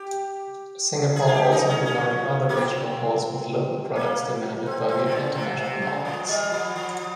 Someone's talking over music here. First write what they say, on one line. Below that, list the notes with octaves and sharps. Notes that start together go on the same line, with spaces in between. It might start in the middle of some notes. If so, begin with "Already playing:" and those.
Singapore also provided other regional ports with local products demanded by international markets.
Already playing: G4
G#4
F4
G4
D#4
C#4
C#4
A#3
C4
A#3
C4
C4
C3
C#3
C3
C3
C#3
F3
G3
F3
F3